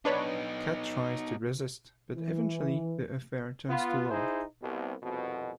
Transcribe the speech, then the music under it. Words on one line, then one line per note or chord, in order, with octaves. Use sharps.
Kat tries to resist but eventually the affair turns to love.
B3 D4 D#4 B4 C#5
E3
B3 F4
D#4 E4 G#4 C5
C2 B2
C2 F2 B2